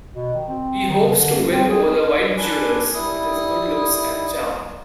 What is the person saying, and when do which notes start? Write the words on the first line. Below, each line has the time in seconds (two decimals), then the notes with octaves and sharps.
He hopes to win over the white jurors with his good looks and charm.
0.14 B2
0.34 D#3
0.48 C4
0.88 D#3
1.03 C#3
1.18 D3
1.33 F#2
1.52 C4
1.70 G#4
2.37 D4 B4 G#5
2.94 G3 E4 D#6